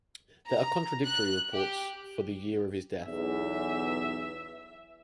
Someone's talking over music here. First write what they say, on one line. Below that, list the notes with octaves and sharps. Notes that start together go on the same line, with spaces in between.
There are contradictory reports for the year of his death.
A#5
F#6
G4
B1 E2 E5